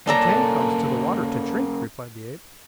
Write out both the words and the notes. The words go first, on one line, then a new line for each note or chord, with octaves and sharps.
"Zu-tag comes to the water to drink," replied the ape.
A#3 C#4 D4 A4 A#5